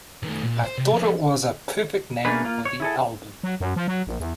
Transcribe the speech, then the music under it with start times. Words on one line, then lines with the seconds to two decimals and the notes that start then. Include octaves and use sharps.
I thought it was a perfect name for the album.
0.23 D#3 A3
0.43 A#2
0.64 C5
0.78 C3
0.92 F3 E4
2.25 A3 A#3 C#4 D4 G#4 B4
2.44 A#3 F4
2.65 C#5
2.80 E4 G#4 A4
3.43 F#3
3.60 F#2
3.76 F3
3.88 F#3
4.07 A#1
4.20 E2